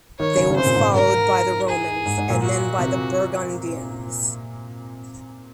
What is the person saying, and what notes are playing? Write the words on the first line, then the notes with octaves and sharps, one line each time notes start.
They were followed by the Romans and then by the Burgundians.
D#3 C#5
C#3
C#3
C3 C5
A#2
G#2
G#2 A#4
G#4
G#2
G#2
A#2
F#4
C3